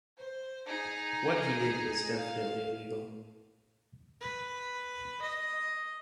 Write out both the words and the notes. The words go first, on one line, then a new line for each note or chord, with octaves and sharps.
What he did was definitively illegal.
C5
D#4 G#4
F5
B4
D#5